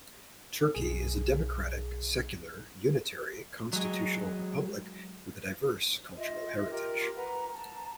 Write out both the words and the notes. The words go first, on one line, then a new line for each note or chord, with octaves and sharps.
Turkey is a democratic, secular, unitary, constitutional republic with a diverse cultural heritage.
B1 G#4
F#3 G#3
F4 D#5 E5
F4 G4 A#4
B4 F#5 A#5
A5 A#5